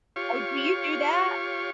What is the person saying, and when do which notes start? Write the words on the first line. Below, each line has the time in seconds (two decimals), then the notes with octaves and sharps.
Oh, do you do that?
0.16 F4 G4 C#5 F5 C#6